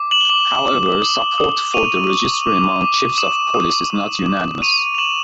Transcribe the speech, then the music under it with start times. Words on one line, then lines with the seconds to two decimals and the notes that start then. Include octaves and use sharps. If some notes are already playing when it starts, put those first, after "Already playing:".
However, support for the registry among Chiefs of Police is not unanimous.
Already playing: D6
0.11 E7 F#7
0.21 G7
0.29 D6 E7 F#7
0.66 D6
1.02 D#6
1.38 D#6
1.74 C#6 D#7 F7
2.10 C#6
2.46 D6
2.82 D6
3.17 D#6 E7 F#7
3.54 D#6
3.90 D6
4.26 D6
4.62 C#6 D#7 F7
4.94 F7
4.98 C#6 E7 F#7